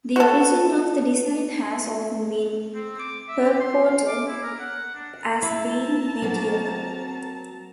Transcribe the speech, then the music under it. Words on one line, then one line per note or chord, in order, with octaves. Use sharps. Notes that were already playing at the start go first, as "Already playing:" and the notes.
The origin of the design has often been purported as being medieval.
F#4 A4
C4
D6
E5
G4
C6
F5
D6
E4
A#4
F#5
D4
E4 A5 A#5
F#3 A#3 C4